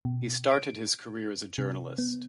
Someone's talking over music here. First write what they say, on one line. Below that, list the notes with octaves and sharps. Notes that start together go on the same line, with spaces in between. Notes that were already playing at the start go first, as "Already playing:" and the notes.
He started his career as a journalist.
B2
D7
C3
B3